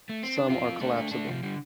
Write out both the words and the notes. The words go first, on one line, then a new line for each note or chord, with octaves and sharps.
Some are collapsible.
A3
C4
D4
C4 F4
A3 D4
A3 D4
C3 F3
D3 G3